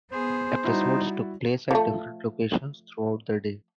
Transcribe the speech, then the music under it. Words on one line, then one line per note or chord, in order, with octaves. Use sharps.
Episodes took place at different locations throughout the day.
B3 G#4 C5
G3 D#4 E4 F#4
F3 A3